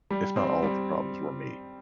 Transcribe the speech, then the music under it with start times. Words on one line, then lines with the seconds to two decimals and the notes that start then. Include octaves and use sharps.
if not all of the problems, were me.
0.11 G3
0.36 C4
0.63 G3